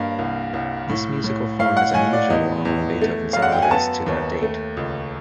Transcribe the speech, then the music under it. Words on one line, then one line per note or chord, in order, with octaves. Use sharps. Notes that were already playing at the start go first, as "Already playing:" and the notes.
This musical form is unusual among Beethoven sonatas to that date.
Already playing: G2 A#3 F5
C2
C2
A2
A2
A2 F5
F#5
A2 G#5
D5
E2 D#5
E2
A3
F#2 F5
F#5
G5
G#5
B3 A5
D#2
A3
C#2